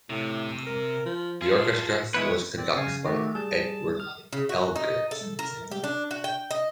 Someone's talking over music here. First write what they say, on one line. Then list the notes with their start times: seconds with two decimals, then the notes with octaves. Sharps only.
The orchestra was conducted by Edward Elgar.
0.10 A2 C3
0.67 A#4
1.06 F3
1.41 F4 G#4 A4
2.14 G#3 B3 E4 B4 C#5
2.57 C4 D5
2.76 C#3 F5 G#5
3.05 D#3 A3 F#4 G4
3.35 G3 G#4 A5
4.00 F6
4.33 C#3
4.49 F#4
4.76 D#4
5.11 A4
5.39 A#4
5.71 G4
5.84 D4
6.11 F#4
6.24 G5
6.51 D#5